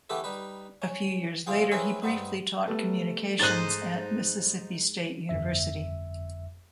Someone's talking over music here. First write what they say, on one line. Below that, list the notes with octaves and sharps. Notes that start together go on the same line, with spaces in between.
A few years later, he briefly taught communications at Mississippi State University.
E3 A3 B3 G4 A4 B4
G3 D#4 B4
C#4
E2 C3 F4 G#4 G5
C4 C#4 E4 G#4 A#4 B4
G2 B3 C4 D#4
G3 A3 B3
G#2 D#4 C5 D#5 F#6 A6
G1 F2 E5